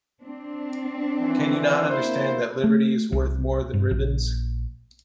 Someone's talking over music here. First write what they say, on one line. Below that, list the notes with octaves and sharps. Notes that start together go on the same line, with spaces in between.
Can you not understand that liberty is worth more than ribbons?
C4 D4
D#3 E3
A#3 E4 C5
A3
C2
G2
A#1